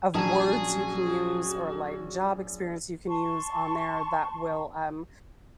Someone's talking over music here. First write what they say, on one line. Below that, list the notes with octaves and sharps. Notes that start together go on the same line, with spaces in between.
of words you can use or, like, job experience you can use on there that will, um,
A#1 F#3 C#4 F#4 G#4 G#5 A5
A5 C6 C#6